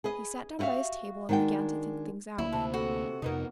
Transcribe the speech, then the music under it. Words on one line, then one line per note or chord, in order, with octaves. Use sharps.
He sat down by his table and began to think things out.
G#4 B4 D#5
E4 F#4 G4 E5 F5
D#3 G#3 D4 F#4 G5
D2 A#3 E4
C3 A5
F#4 A4
F2 C3 A#3 B3 D#4